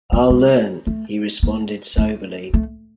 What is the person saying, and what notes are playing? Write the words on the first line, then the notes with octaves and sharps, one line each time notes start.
"I'll learn," he responded soberly.
G#3
G#3
A3
A#3
A3
A3